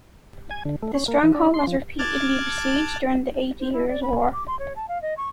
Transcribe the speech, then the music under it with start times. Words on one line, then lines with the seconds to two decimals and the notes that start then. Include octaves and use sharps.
The stronghold was repeatedly besieged during the Eighty Years' War.
0.51 G#5
0.65 D3
0.83 A3
0.95 C#4
1.08 A#3
1.23 E3
1.35 D4
1.54 C6
1.67 F3
1.99 A5 D6 F6 F#6 G#6 A6
3.60 C5
3.73 E4
3.88 D5
4.03 B5
4.20 F5
4.33 D6
4.47 C6
4.59 C#5
4.76 A5
4.88 F5
5.02 D#5
5.17 C#6